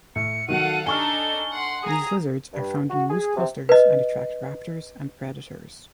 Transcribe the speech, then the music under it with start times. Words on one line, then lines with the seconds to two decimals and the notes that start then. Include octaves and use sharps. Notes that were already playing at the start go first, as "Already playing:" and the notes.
These lizards are found in loose clusters and attract raptors and predators.
0.16 A2 C#7
0.49 D#3 F#3 A4 F5 F#5 D#7
0.86 D4 D#4 A4 G#5 C#6 F6 G7
1.50 F#5 C6
1.83 G#4 A#5 D#6
2.53 G2
2.89 F#4
3.09 G#4
3.35 C3
3.69 B4 D#5